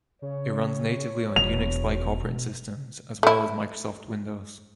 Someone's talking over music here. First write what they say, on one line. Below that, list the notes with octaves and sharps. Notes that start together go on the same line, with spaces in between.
It runs natively on Unix-like operating systems as well as Microsoft Windows.
C#3 C#5
E1 E2 B2 F7
A3 E4